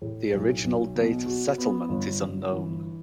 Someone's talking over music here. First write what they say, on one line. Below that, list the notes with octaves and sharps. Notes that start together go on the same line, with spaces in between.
The original date of settlement is unknown.
A2
B1
B1
B2
F#4
B3
G1
G1
E3